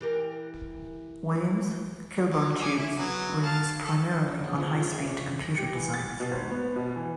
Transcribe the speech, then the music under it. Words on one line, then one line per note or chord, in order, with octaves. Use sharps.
Williams-Kilburn tubes were used primarily on high-speed computer designs.
E3 G4 A#4
F#3
G#5 D6
E4
F#3 B3
F5 A5
A4
D#4
C#3 B3
F3 G#3 C4
C4 F4 F5
G#4 B4 E5
C#5 D5
A#6
G4
E3
A6
B2
G#1
B3
B2
E3